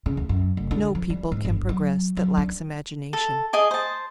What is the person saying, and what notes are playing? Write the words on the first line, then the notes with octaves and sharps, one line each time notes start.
No people can progress that lacks imagination.
C#3
D2
F#2
F1
D3
F3
G3
G#2
G1
F#3
F#3
D4
A4
G#4 D#5 G#5 D6
C5 A5